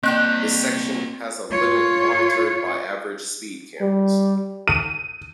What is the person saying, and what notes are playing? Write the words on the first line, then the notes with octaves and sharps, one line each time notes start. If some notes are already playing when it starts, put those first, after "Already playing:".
This section has a limit monitored by average speed cameras.
A#3 C4 D5 G5 F#6 G6
F4 C#5
G3
D#7